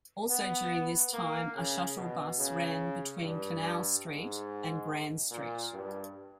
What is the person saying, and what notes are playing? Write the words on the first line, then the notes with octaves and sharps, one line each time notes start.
Also during this time, a shuttle bus ran between Canal Street and Grand Street.
B3
A#3
C#3
B2
C#3
G2
G#2
A#2
G2